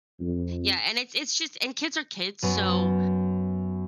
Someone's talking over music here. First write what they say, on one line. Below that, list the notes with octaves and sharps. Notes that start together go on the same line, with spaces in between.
yeah, and it's it's just a kids are kids, so,
F2
F#2 B3